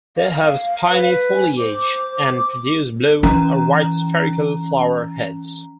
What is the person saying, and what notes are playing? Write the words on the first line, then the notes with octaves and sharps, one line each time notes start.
They have spiny foliage and produce blue or white spherical flower heads.
F5
B4
G#5
C5 D6
E3 C#4 A#5